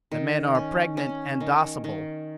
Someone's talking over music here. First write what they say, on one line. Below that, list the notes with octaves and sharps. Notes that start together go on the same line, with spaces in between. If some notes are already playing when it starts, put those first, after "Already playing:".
The Men are pregnant and docible.
D#3
C#4
C#4
D#3
D#3